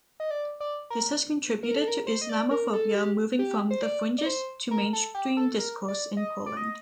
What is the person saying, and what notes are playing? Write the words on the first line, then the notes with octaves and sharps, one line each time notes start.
This has contributed to Islamophobia moving from the fringes to mainstream discourse in Poland.
D#5
D5
D5
A#4
A#4
A4
A#4
C5
D#5
D5
A#4
A4
A4
G4
G4
C5
D5
D5
C5
A#4
A4
G4
A4
A#4
D5
D#5
D5
D#5